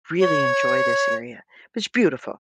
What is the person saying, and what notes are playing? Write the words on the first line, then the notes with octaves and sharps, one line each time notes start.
really enjoy this area. It's beautiful.
C#5